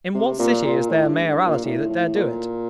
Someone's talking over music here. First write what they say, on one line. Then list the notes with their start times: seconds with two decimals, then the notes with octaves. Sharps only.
In what city is there a mayoralty that dare do it?
0.15 C3
0.39 A#2
0.65 A#2
0.90 A2
1.09 G2
1.27 G2
1.46 A#2
1.65 A2
1.90 A2
2.15 A#2